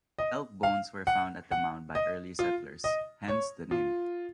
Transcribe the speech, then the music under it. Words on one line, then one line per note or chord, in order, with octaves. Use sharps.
Elk bones were found at the mound by early settlers, hence the name.
D#5
F5
F#5
F#5
D#5
F4
D#5
C#5
F4